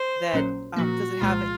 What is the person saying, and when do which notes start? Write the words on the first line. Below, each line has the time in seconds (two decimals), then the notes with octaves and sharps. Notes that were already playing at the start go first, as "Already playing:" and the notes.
that um, does it have
Already playing: C5
0.33 A#1 A#2 F#3 C#4
0.76 A#2 F3 A#3 F#4
1.21 C2 A#2 F3 G#3 F4